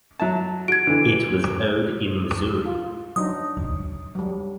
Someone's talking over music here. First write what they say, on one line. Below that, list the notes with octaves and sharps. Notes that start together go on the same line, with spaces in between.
It was owed in Missouri.
F#3 E5 A5
F#4 G#6 D7
D3 E3
F4
F#3 D4 D#4 D#6
F#3 G3